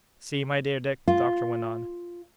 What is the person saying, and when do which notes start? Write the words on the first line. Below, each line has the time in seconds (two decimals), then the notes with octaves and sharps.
"See, my dear Dick!" the doctor went on.
1.08 F4